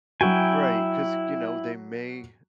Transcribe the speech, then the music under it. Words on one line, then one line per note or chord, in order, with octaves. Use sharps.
Right, 'cause, you know, they may
F#3 E4 F#4 G5 G#5